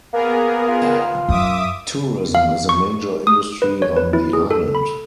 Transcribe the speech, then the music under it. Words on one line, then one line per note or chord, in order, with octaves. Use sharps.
Tourism is a major industry on the island.
A#3 B3 G#4 A#4
F4
F#2 E5 D6 D#6
F5
C#6
D#6
B4
C#5
B4
E4
G#4
A4
B5